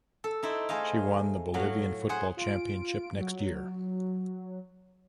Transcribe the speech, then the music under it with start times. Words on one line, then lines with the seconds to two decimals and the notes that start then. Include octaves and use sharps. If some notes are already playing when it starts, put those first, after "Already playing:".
She won the Bolivian football championship next year.
0.24 A4
0.43 D#4 E4 C5 D5
0.69 A3 G#4 C5 D#5 F5
1.54 A2 F#3 F5 F#5
2.09 G#4 C5 F#5
2.37 F4 D7
3.18 F#3